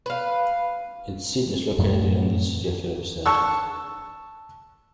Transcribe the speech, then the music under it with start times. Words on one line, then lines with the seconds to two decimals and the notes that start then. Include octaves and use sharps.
Its seat is located in the city of Filipstad.
0.06 B4 F5
1.78 F#2 A2 E3 F#3
3.26 A5 C#6 E6